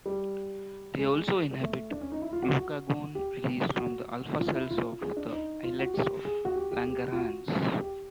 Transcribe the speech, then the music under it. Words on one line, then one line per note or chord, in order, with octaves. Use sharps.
They also inhibit glucagon release from the alpha cells of the islets of Langerhans.
G3
G#3
A3
D4
C#4
D#4
E4
F4
F#4
F#4
G4
F#4
F4
E4
F4
G#4
D4
D#4
F4
F#4
G4
G#4
F#4
G4
G4
G4
F4
F#4
G4